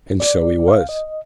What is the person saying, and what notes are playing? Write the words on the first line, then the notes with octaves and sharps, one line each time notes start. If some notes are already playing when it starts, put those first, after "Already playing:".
And so he was.
D5
F5
D#5